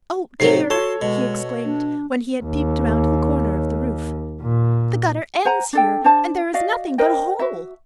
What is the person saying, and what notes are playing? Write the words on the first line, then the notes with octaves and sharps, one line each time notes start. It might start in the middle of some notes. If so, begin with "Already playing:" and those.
"Oh dear!" he exclaimed when he had peeped around the corner of the roof, "the gutter ends here and there is nothing but a hole!"
A2 C3 F#3 D#4 C7
F#4 A4 C#5 A5 C6
B2 G#3
D4
D#2
A#2
C5 F#5 G#5 A#5
D4 A4 G5
D4 C5 A5
F#4 D5 D#5 F5
A#4 C5 D#5 G5
F#4 E5